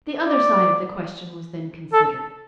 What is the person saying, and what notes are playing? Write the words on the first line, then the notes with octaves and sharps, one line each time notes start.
The other side of the question was then considered.
D5
A4